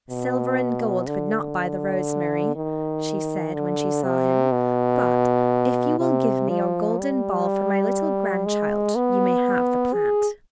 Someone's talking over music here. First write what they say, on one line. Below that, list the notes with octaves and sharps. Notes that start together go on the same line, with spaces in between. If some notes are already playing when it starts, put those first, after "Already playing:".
"Silver and gold would not buy the rosemary," she said when she saw him; "but if you will give me your golden ball for my little grandchild you may have the plant."
B2
D3
D#3
D3
C3
B2
C3
F3
G3
G#3
B3
G#4